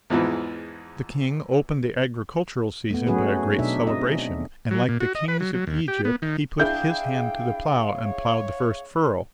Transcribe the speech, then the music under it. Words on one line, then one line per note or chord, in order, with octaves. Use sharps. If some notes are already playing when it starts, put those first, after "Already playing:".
The king opened the agricultural season by a great celebration, and, like the kings of Egypt, he put his hand to the plough, and ploughed the first furrow.
E2 G#2 E3 F3
A3 B3
F#3 A3 C#4 F#4 G#4 B4
B2 D4 D#4 E5
C4 D#5
F#3
A#2
F#4
D#5
B4
F#3
F#3
D#2
G4
B3
D#3
D4 E4 G#4 F5 G5 G6
C#5